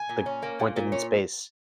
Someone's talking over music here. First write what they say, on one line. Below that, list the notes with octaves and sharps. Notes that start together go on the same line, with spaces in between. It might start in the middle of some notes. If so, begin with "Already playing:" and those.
the pointed in space,
Already playing: G#5
A#2
C#4
A#3
A#2
A#2
C#4